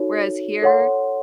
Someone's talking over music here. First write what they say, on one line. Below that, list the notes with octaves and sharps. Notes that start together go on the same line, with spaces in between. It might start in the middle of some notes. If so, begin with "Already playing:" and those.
whereas here,
Already playing: D#4 F#4 A4 C#5
A4 C#5 F#5 C6